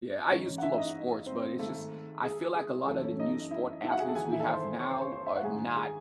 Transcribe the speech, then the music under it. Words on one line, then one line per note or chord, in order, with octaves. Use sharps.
Yeah, I used to love sports, but it's just I feel like a lot of the new sport athletes we have now are not
D#5
G#2 E3 C#4 C#5
F#5
E4 E5
E5
D#4 D#5
C4 C5
G#2 D#3 A3 A4
G#4
G#4
F#2 E3 A3 A4
C#4 C#5
D#4 D#5
E4 E5
E4 E5
F#4 F#5
G#4 G#5
A4 A5
E2 D#3 G#4 G#5
E4 E5
A4 A5
C5 C6
C#5 C#6
C5 C6
C#5 C#6
C5 C6
E5
F#5
G#2 D#3 G#4 G#5
G#4 G#5